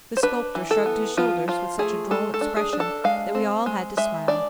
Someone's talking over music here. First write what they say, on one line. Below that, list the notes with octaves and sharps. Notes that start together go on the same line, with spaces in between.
The Sculptor shrugged his shoulders with such a droll expression that we all had to smile.
C5
D4 B4
E3
A4
B3
F3 F4
F3 F4
A3 G#4
G#3 A4
A4
D4
G#4
D4
A4
G#3 F5
C4
G#3
G#3 E5
D4 D5